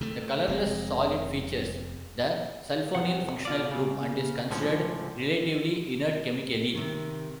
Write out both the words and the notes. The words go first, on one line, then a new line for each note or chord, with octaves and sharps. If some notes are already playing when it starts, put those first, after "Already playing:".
This colorless solid features the sulfonyl functional group and is considered relatively inert chemically.
C3 A3
F1 G#3 C4
F2 C3 F#5
B2 F4 D5
C#3
C#2 A2 D3 F3 C#4
C3 D#3